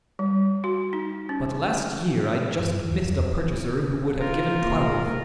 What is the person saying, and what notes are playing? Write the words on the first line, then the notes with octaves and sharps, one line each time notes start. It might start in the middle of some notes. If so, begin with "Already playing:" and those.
But last year I just missed a purchaser who would have given twelve.
G3
F#4
D#4
C#4
G2
D#2
F2
F4 A#4
C3 A#3